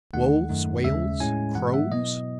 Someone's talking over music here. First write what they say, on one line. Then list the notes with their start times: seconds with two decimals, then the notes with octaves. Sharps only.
Wolves, whales, crows?
0.13 D#2 D#3 A3 D#4 F#5
0.49 F#2 D#3 A3 D#4
0.84 D#2 C#3 G#3 C#4 E5
1.20 A2 G#3 C#4 E4 G#5
1.55 G#2 E3 G#3 B3 F#5
1.74 E5
1.91 B2 F#3 B3 E4 D#5